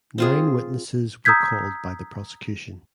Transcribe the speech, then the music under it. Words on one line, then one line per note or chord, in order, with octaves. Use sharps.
Nine witnesses were called by the prosecution.
C4 F4 G#4
A#5 D#6 E6 G6 G#6 B6